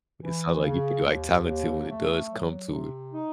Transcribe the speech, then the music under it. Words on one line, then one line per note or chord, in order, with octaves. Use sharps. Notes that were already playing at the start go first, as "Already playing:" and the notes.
it sounds like you feel, like, talented when it does come to it.
E3
C#3
D#2
D#2
A3
F#3
C3
D#4